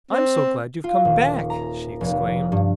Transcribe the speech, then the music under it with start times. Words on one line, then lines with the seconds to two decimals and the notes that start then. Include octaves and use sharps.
"I'm so glad you've come back!" she exclaimed.
0.11 C4
0.84 F4
1.05 D#1
1.50 A#5
2.01 F1
2.52 G2